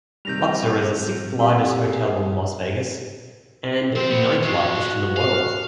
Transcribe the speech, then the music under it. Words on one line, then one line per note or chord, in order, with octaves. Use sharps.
Luxor is the sixth-largest hotel in Las Vegas and the ninth-largest in the world.
C3 D#3 G3 G6 A#6 F7
C4 G4
A#3 G#4
F3 C4 C5
E3 B3
F2 G#3 F#4
F5